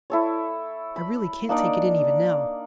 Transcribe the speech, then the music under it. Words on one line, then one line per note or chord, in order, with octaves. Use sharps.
I really can't take it in even now....
E4 A4 C#5
B5
A#3 D4 D#4 D5